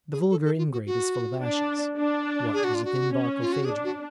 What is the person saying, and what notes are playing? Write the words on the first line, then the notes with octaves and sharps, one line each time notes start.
The vulgar ingrate is full of ashes; what was within Barkilphedro?
G#4
A4
A4
F4
F#4
F#4
D4
D4
G#4
F#4
F4
F#4
C#4
F4
F#4
D4 G#4
F#4